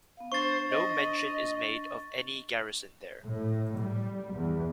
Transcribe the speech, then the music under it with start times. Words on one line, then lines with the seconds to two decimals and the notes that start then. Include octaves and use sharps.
No mention is made of any garrison there.
0.17 B3 F5
0.32 D4 C5 C#6 A6
0.71 D#5
3.23 A2
3.78 G3
4.33 E2